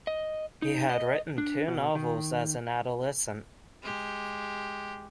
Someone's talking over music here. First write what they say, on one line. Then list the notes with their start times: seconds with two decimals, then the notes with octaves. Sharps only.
He had written two novels as an adolescent.
0.07 D#5
0.62 D#4
0.90 D#5
1.38 D4
1.68 B2
1.95 D#3
3.83 G#3 G4